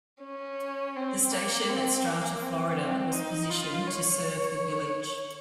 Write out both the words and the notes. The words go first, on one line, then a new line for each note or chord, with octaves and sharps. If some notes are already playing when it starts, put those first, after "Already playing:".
The station at Strata Florida was positioned to serve the village.
C#4
C4
A#3
C4
A#3
C4
C4
D#4
F4
C#5